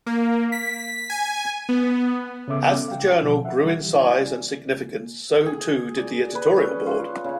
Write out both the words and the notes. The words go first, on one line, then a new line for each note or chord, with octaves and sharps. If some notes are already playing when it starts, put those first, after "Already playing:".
As the journal grew in size and significance, so too did the Editorial Board.
A#3
B6
G#5
B3
C#3 B3 C#4 A4 E5 D6
F5 G5
B2 F3
E5 F#5
E3 G3
E4 D5 G#5
G#4
D5
B4
C#4
F4
C#3